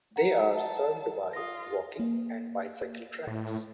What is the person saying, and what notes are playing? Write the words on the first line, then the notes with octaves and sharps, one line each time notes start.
They are served by walking and bicycle tracks.
F#5 A#5 C#7
A5
F4 D#6 A#6
A#3
A2